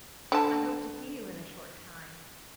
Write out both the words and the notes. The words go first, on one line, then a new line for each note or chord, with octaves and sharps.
I hope to see you in a short time.
D3 A5